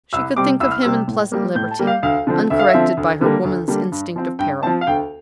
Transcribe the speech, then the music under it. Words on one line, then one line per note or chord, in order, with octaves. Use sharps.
She could think of him in pleasant liberty, uncorrected by her woman's instinct of peril.
C2 E6
C3 G3 C4 D6
C2 E6
F6
C3 G3 C4 E6
A2
G3 A#3
A2 G6
A5
G3 A#3
F5
D2 F5
D3 F3 C4
D2 E5
F5
E5
D3 F3 C4
D2
D3 G3 A#3
D2
D3 G3 A#3
G2
F3 C4
G2 G5
F3 C4 A5
F5
D2 G5